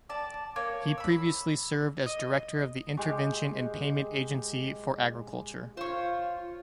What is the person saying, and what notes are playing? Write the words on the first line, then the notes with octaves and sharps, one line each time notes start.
He previously served as director of the Intervention and Payment Agency for Agriculture.
D5 A5
A#3 C#5
B5 E6
D#5
G#3 G4 C#6
F4 C5 C#5